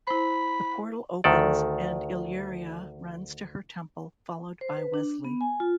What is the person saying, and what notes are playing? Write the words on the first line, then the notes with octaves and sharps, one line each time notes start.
The portal opens and Illyria runs to her temple, followed by Wesley.
E4 C5 B5
D2 D#3 A4 D5
C5
B4
D4
B3
G#5
F4